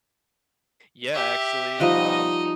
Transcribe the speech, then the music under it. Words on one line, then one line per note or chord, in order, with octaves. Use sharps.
Yeah, actually, um,
G4 E5
F3 G3 D#4 D#5 F#5